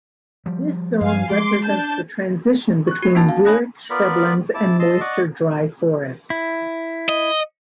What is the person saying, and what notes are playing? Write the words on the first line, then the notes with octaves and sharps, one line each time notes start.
This zone represents the transition between xeric shrublands and moister dry forests.
F3 G3
G2 F5 G#5
G#3 C6 D6
D4 A5 G6
C#6 F#6
F#4
A#3 C#4 D#4 A5 A6
F5
C#5 G#5 B5 D#6 F#6 A#6
B3 F4 A#4 D5 B5
E4 A5 D6
D#5 A5 C6 E6
D5 D#5 F#5 C#6 D6
E4
D#5